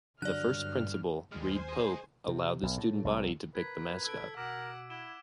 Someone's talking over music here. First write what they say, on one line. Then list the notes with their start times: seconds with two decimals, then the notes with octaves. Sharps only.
The first principal, Reid Pope, allowed the student body to pick the mascot.
0.22 G2 D3 F#3 D5 F6 F#6
1.32 D#2 G3 G#3 C5 G#5 C6 F6
1.69 G#4 D#5
2.28 C3
2.63 B1
2.78 A2
3.05 C2
3.55 A#4 B4 G#6 B6
4.05 A4 E6 G#6 D7
4.37 B2 A#4 F#5 D6 D7
4.90 E4 F#5 D7 E7 G7